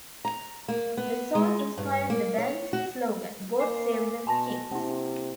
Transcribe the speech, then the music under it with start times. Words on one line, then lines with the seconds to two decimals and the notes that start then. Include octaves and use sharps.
The song inspired the band's slogan, "God Save the Kinks".
0.25 A#5
0.68 A#3
0.97 B3
1.35 G#3
1.78 G2
2.10 A#3
2.38 C#5
2.73 F#4
3.60 A#3 G#5 D6 C7
4.27 B2 G#5 A5 A#6
4.72 C3 A#3 E4